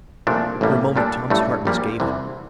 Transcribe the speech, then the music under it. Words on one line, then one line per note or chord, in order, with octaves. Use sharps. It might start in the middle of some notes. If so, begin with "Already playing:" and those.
For a moment Tom's heart misgave him.
C2 A#2 F3 A3 D4
A1 A2 E3 G3 A#3
A#2 G3 D4 A4
A1 G2 E3 A3
A#1 A#2 G3 A#3
C2 C3 E3